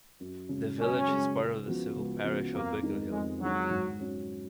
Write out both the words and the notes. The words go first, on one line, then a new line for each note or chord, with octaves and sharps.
The village is part of the civil parish of Bickenhill.
F#2
C#3 G#3
F#2 C#4
C#3 G#3
C#2
C#3 F3 B3 F#4
C#2
C#3 F3 B3 F#4
F2 A#3
D#3 G#3 D#4
F2 G#3
D#3 F#3 G#3 D#4
G#2
F#3 C#4